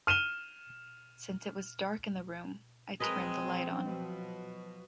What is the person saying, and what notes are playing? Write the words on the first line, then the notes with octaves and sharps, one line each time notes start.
Since it was dark in the room, I turned the light on.
F6 D#7 E7 G7
F3 F#3 G#3 C4 G#4 A#4 B4 D#5
B2